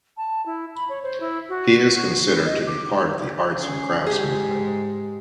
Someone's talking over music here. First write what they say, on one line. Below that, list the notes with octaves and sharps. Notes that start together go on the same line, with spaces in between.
He is considered to be part of the Arts and Crafts Movement.
A5
E4
B5
C#5
C5
E4
F#4
B4
D#5
D6
C#4 G#4
G#2 G#3 G4 G#4